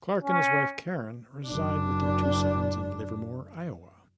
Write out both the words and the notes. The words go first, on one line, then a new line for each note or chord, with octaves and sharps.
Clark and his wife, Karen, reside with their two sons in Livermore, Iowa.
C#4
F#1 D4